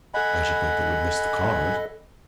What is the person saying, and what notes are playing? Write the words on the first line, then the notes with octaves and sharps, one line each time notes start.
"I should think they would miss the cars."
A4 D#5 F#5 G#5 B5